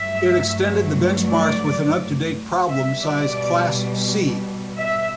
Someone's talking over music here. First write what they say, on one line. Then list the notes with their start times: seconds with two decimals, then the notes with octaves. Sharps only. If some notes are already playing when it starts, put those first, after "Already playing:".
It extended the benchmarks with an up-to-date problem size "Class C".
Already playing: G2 F#3 A3 E5
1.28 D5
2.68 B2 G3 E5
3.03 D5
4.77 E5